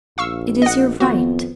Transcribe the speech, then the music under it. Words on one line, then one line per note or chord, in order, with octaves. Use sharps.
It is your right.
A#1 F5 C#6 E6
D#5 F#5
F2 D#3 B3 F#4